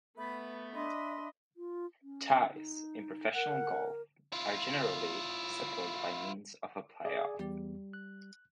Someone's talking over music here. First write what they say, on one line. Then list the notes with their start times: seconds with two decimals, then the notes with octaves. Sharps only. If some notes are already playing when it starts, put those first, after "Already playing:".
Ties in professional golf are generally settled by means of a playoff.
0.17 A3 B3 B4 B5
0.74 D4 D#5 E5 B5 C6
1.57 F4
2.03 C#4
2.53 D#4
3.34 A#4 F#5
4.33 E4 F4
7.05 G#4 D5 G#5
7.39 E2 G3
7.93 F#6